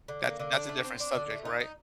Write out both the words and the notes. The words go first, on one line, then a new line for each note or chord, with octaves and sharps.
That's that's a different subject, right?
D3
A#3
D3
D4
A3
C4
D4
D3
A3
D#4
D#4